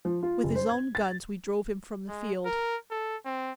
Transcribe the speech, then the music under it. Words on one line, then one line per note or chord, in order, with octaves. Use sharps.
With his own guns we drove him from the field.
F3
F4
F#1
C5
G#6
A6
G#3
A#4
A4
C4